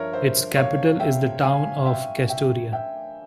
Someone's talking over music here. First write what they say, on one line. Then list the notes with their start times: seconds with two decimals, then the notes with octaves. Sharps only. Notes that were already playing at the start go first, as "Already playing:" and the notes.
Its capital is the town of Kastoria.
Already playing: G2 F3 A#4 C#5 E5
0.13 C5 E5
0.56 C#5 F5
1.00 E5 G5
1.43 F5 G#5
1.80 F5
1.86 E5 G5
2.29 E5 G5
2.73 E5 G5